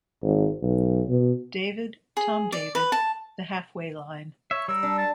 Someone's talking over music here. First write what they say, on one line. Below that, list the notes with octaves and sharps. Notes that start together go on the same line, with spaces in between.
David, Tom David, the half-way line.
G#1
B1
B2
G#4
D5
B4
A5
C#5 E5
G3 A#4 E6
D4
A5